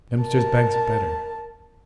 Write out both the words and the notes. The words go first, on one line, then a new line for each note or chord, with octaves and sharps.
"Dempster's Bank's better."
A#4 A5